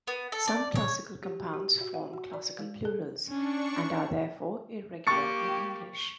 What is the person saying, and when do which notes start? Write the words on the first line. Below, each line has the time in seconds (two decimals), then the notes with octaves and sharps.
Some classical compounds form classical plurals, and are therefore irregular in English.
0.07 B3
0.32 A4
0.48 D5
0.75 C#5
1.23 G4
1.40 F#4
1.53 G4
1.81 F#4
1.94 F#5
2.13 F#4
2.34 D5
2.59 G#3
2.85 A4
3.28 C#4 D4 C#6
5.07 A#3 G4 C#6 A6 C#7